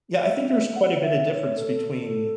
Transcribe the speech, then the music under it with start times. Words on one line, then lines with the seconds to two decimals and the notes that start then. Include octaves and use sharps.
Yeah, I think there's quite a bit of difference between,
0.23 E5
0.50 E5
0.76 F#5
1.03 E5
1.30 C#5
1.57 A4